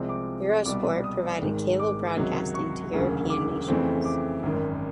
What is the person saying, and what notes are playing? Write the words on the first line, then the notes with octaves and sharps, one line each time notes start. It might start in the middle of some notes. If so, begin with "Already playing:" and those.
Eurosport provided cable broadcasting to European nations.
Already playing: C2 C3 F3 G#3 C4
D6
C2 B2 G3 D6
D#6
G#1 G#2 D#3 G#3
D6
C#2 C3 D#3 F#3
C#6
E1 D2 C#3 F#3 A#3
D6
F2 C#3 E3 A3 C4
D6
G#1 F#2 D#3